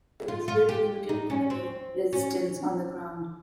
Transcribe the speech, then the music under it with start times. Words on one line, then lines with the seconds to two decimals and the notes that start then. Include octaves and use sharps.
There was very limited enemy resistance on the ground.
0.28 F4
0.48 F4
0.69 G4
1.09 D#4
1.30 C#4
1.50 C4
2.13 C#4